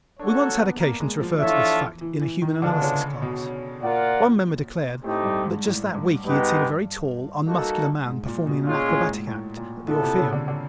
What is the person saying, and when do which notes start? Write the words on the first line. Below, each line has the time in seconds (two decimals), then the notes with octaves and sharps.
We once had occasion to refer to this fact in a Human Analysis Class. One member declared that just that week he had seen a very tall, unmuscular man performing in an acrobatic act at the Orpheum.
0.19 D4 F#4 A4 C#5
0.40 A#3
0.60 B3
0.80 A#3
1.01 G#3
1.20 F3
1.40 E3 D4 F4 A4 C#5 E5
2.01 E3
2.21 E3
2.42 D#3
2.62 D3 G#3 B3 D4 F4 A4
2.82 C#3
3.22 B2
3.82 A#2 F4 A#4 D5 F#5
5.03 A2 A3 C4 D#4 G4
5.24 G2
5.44 G#2
5.64 A2
5.95 G2
6.24 G2 G#3 B3 D#4 G4 B4
7.45 A#3 D#4 F#4 A4
8.06 G#2
8.26 A#2
8.46 B2
8.67 A#2 G#3 C#4 F4 G#4 C#5
8.87 A2
9.07 G#2
9.27 A2
9.57 A#2
9.87 A#2 B3 E4 A4
10.02 C3
10.18 C#3
10.32 D3
10.48 D3